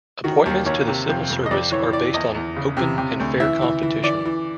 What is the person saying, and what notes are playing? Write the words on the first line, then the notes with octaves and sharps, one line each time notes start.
Appointments to the civil service are based on open and fair competition.
D#3 F#4
D#2 G4
D#2 C#5
C3
F2
F2
D#5
F2 D5
E3 C#5
E3 D5
E2 D#5
E2
C#3
C3
C3
D2
E3 E5
E3
E3
E3 D5
E3